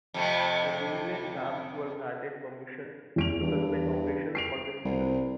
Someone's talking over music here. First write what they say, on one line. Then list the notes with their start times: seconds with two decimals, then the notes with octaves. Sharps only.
The Cleveland Rams were granted permission to suspend operations for this season.
0.14 F2 C3 A3
3.16 E2 D7 F7
3.42 G2
4.35 C7 D7 F7
4.85 C2